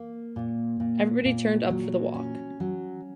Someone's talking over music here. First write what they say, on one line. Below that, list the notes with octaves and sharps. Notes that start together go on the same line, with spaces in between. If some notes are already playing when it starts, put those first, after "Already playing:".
Everybody turned up for the walk.
Already playing: A#3
A#2
A#2
A#2
F#3
C#4
F#3